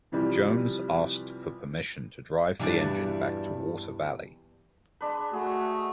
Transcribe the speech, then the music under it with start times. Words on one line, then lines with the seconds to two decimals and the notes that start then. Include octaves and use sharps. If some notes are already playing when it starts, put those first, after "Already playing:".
Jones asked for permission to drive the engine back to Water Valley.
0.12 C3 E3 F3 G3
2.59 E2 G2 B2 G3 E4 D5
5.01 G#3 D4 B4
5.33 A3 F#4 G#4